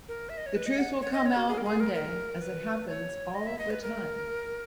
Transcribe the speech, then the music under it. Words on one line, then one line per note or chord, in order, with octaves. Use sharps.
The truth will come out one day as it happens all the time.
A#4
E5
D#5
C#5
B4
D#5
F#5
C#5
D#5
C#5
F#4
G#4
A#4
G#4
A#4
A#4
B4
C#5
D#5
E5
D#5
B4
A#4